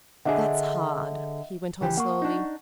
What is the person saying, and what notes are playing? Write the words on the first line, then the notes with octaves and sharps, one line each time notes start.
'That's hard,' he went on, slowly.
D3 D4 G#4 D#5 E5 F#5
C#2 E3 G4
A#3 F#5 C#6
D4 D#4